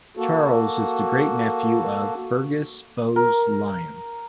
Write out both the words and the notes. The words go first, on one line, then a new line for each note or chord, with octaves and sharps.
Charles is the great-nephew of Fergus Bowes-Lyon.
A#3 F#4 A4
A#4